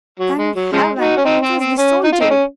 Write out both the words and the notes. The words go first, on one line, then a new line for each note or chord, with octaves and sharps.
Thank Heaven! it was the soldiery.
F#3
G#3
F#3
C#3 F3 G#3
D#4 F#4
C#4
C4 D#4
C4
C4
C#4
D#4
F4
C4 D#4
C#4